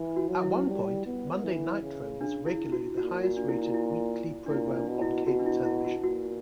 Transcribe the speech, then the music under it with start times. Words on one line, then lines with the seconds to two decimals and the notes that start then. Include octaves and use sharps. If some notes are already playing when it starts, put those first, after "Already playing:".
At one point, "Monday Nitro" was regularly the highest-rated weekly program on cable television.
Already playing: E3
0.16 F#4
0.29 F#3
0.42 E4
0.67 G3
1.06 B3
1.44 E3
1.82 C#3
2.21 D4
2.46 E4
2.72 F#4
2.97 A#2 F#4
3.23 F#4
3.36 D4
3.48 E4
3.74 E4
4.46 D4
4.50 A#2 E4
4.76 D4
4.88 B2
5.02 E4
5.26 B2 F#4
5.39 D4
5.46 E4
5.65 E4
5.85 F#4
6.04 A#2 F#4